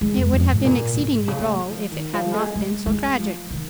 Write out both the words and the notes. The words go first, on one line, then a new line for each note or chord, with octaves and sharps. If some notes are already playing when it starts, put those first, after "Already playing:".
It would have been exceedingly droll if it had not been so tragic.
G#3
F2
F2
G#2
G#2
A#2
G#2
C#3
A#3
G#3
F3
D#3
F3
G#3
G#3
G#3
F3
D#3